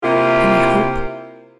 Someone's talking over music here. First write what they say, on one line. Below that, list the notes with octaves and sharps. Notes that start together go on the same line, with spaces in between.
Can I hope?
C3 A#3 E4 F4 G4